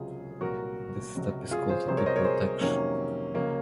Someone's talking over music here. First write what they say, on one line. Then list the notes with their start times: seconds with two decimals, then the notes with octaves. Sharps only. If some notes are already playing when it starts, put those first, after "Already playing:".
This step is called deprotection.
Already playing: C#2 C3 F#3 F4 G#4
0.41 C2 A#2 F#3 F#4 A#4
1.15 C#2 C3 F#3
1.51 F4 G#4
1.69 G#4 C5
1.87 C2 C3 F#3 G#4 C5
1.97 A#4 C#5
2.06 C5 D#5
2.16 A#4 C#5
2.24 G#4 C5
2.61 F2 C3 D#3 F#3 A#3 C#4
3.34 C#2 C#3 F#3 A#3 C#4